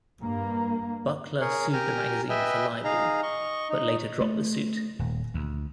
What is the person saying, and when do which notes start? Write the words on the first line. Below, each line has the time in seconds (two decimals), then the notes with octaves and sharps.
Buckler sued the magazine for libel, but later dropped the suit.
0.19 G2 A#3
1.41 G#4 A#4 C#5
1.73 G4 A#4 G#5 A#5
2.29 B4 D#5 E5 G5 G#5
2.84 D#4 G#4 F5 A#5
3.23 D#5 C#6
3.70 D#4
4.21 A3
4.99 D#1
5.34 D2